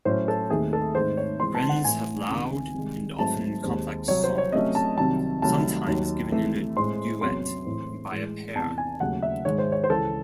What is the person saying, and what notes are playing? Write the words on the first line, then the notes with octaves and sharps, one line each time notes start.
Wrens have loud and often complex songs, sometimes given in duet by a pair.
A2 F#3 C#4 C5
A4
D#2 D#3 A3 C4 G#4
A4
G#2 D#3 A3 C4 C5
C#5
C3 E3 G#3 C4 C6
A5
F#5
A2 E3 A3 G#5
C#2 C3 D#3
C2 C3 D#3 G#3
G#2 F#3 A3 C4 A5
D#2 D#3 G#3 C4
C2 C3 F#3 C#5
C5
C#5
C3 F#3 A3 C#4 D#5
A5
C2 C3 D#3 F#3 A5
C2 C3 D#3 F#3 A3 A5
D#2 D#3 F#3
C3 E3 A3
A2 G#3 C4 C6
E2 C3 F#3 C#4 C6
A2 E3 C4
A2 E3 G#3
E2 C3 E3 A5
G#5
D#2 C#3 F#3 A3 C#4 F#5
E5
G#2 D#3 G#3 C#5
C5
C#5
C5
C#2 C#3 E3 A4